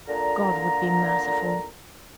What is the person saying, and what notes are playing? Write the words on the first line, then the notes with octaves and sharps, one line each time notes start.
God would be merciful.
A#2 D3 A#5